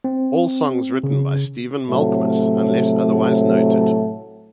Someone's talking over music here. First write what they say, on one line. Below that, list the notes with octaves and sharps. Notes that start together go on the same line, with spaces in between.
All songs written by Stephen Malkmus unless otherwise noted.
C4
C#3
A2 C3 F#3 A3